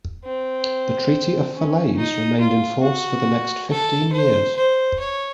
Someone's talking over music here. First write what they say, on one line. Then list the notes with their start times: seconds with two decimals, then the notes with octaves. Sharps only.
The Treaty of Falaise remained in force for the next fifteen years.
0.24 C4
1.54 C#4
1.97 D#4
2.40 F4
2.83 F#4
3.70 A4
4.13 C5
4.57 C5
5.00 C#5